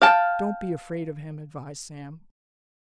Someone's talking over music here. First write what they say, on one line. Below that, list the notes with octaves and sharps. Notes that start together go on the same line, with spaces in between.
"Don't be afraid of him," advised Sam.
F5 G5 A5